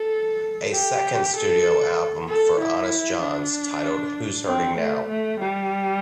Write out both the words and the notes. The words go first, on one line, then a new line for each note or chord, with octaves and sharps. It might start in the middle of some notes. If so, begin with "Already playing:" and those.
A second studio album for Honest Jon's, titled Who's Hurting Now?
Already playing: A4
G4
A4
A4
E4
D4
C4
A3
A3
G3